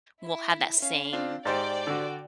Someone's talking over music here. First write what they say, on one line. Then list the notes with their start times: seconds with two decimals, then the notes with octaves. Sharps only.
will have that same
0.24 E4
0.82 C#4 F5
1.13 C4 D4 F4
1.46 G#2 G4 C5 D5 G5 D6 A6
1.87 D3 F#4